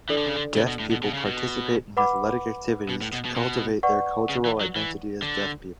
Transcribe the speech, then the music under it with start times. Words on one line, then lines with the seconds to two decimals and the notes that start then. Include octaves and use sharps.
Deaf people participate in athletic activities to cultivate their cultural identity as Deaf people.
0.09 E3 D4 A4 D5
0.17 D3
0.26 C#3
0.36 D3
0.56 C#3
0.68 B2
0.80 A2
0.91 B2
1.03 B2
1.14 C#3
1.25 B2
1.97 B4 F#5 B5 D6
2.89 B2
3.02 A2
3.13 B2
3.25 B2
3.36 B2
3.83 B4 D5 F#5 C#6
4.29 C#3
4.45 E3
4.61 F#3
4.76 E3
5.22 D3